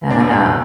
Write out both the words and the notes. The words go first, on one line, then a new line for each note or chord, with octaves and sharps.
and, um
D4
E1
D4